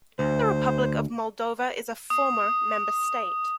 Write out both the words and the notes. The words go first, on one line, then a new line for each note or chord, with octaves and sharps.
The Republic of Moldova is a former member state.
D2 C5
D#6